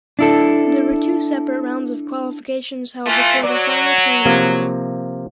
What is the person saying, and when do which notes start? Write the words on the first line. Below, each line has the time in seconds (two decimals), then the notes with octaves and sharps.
There were two separate rounds of qualifications held before the Final Tournament.
0.19 D4 E4 A4
3.06 E3 A3 F4
3.43 F#3 D5
4.25 C3 F3 A#3